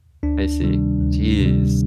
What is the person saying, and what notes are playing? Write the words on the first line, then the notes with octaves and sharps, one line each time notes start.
I see. Jeez.
D2 D4
C3 D#3 G3
D2
C3 D#3 G3